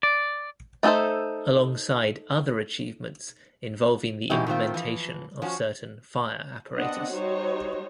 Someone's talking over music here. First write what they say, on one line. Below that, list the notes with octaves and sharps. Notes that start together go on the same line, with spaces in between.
Alongside other achievements involving the implementation of certain fire apparatus.
D5
A3 D#4 G#4 A4 C5
G#2 E3 C#4 E4 G4 D#5
D#3 A3 C4 F4
E3 F3
F3 C#4 F#4
B3 C4 D4 D#5 F#5
G3 D#4 F#4 C5 C#5